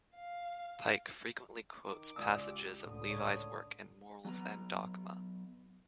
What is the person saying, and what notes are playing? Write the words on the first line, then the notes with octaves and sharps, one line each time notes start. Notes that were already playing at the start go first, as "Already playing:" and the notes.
Pike frequently quotes passages of Levi's work in "Morals and Dogma".
F5
D#3 D6
C#2 D5 D#6 E6
G4
C#2 A2 D3 D#6
C#5
F#3 B3 A#5